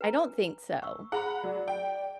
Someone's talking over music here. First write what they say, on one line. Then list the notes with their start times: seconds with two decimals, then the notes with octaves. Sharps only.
I don't think so.
0.01 B4 G#5 A#5
0.82 C#6 E6
1.12 E4 G#4 C5 F#5 A#5 B5
1.44 F#3 D5
1.68 G5